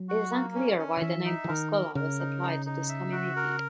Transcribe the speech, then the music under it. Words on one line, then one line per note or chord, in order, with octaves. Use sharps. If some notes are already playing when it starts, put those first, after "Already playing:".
It is unclear why the name "Pascola" was applied to this community.
Already playing: F#3
F#4
A#3
C#4
C#4
D#3
E3 E5
D#4
E3
D#3 A#4
A#4
C#3 A#4
D#4
D#4
D#4
E5
F#4
A#4